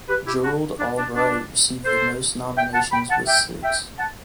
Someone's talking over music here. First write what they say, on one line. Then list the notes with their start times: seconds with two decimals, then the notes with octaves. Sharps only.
Gerald Albright received the most nominations with six.
0.08 G4 B4
0.26 E4 G4
0.44 D4 F#4
0.79 D4
0.98 D4
1.15 D4
1.85 A4 C5
2.57 E5 G5
2.74 F#5 A5
2.92 G5 B5
3.10 F#5 A5
3.27 E5 G5
3.63 E5 G5
3.99 F#5 A5